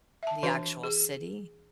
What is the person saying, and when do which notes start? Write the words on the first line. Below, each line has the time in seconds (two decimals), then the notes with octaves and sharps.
the actual city
0.23 E5 A5
0.43 E3 D4 F#4 B4
0.83 G#4